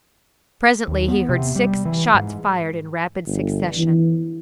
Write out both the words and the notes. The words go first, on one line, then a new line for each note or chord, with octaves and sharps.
Presently he heard six shots fired in rapid succession.
D#2
B3
C3
G3
E3
G#2
G1
E3